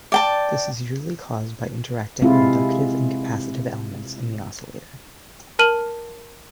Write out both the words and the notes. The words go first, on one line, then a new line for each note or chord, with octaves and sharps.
This is usually caused by interacting inductive and capacitive elements in the oscillator.
D5 G5 A5
C3 G#3 C4 E4 F4
A#4 A5 F6 D#7 F#7